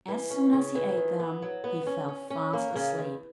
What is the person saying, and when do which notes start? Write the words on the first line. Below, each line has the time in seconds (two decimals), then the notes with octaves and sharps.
As soon as he ate them he fell fast asleep.
0.08 E3
0.31 C#4
0.53 C#3
0.75 E3
0.97 D#3
1.20 B3
1.42 F#3
1.64 B3
1.86 C#4
2.08 C#4
2.30 C#4
2.53 A#3
2.75 C#3
2.98 E2